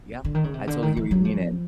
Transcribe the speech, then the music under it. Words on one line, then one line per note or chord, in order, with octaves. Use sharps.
Yeah, I totally hear what you mean, and,
D3
D#3
C#3
C3
D3
D#3
E3
F#3
F3